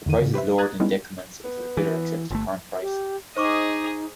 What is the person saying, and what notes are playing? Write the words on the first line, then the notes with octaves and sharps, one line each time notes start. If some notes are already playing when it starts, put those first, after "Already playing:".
The price is lowered in decrements until a bidder accepts the current price.
E2 D3 D#3 D#7
A2 C#3
G4 B4 C5 E5
A#5 D#6 F#6 G#6 A6
G3 G#3 B3 C#4 D#4 E4
B3
E3
G1 A3
G4
D#4 G#4 C5 D#5 C#6 D6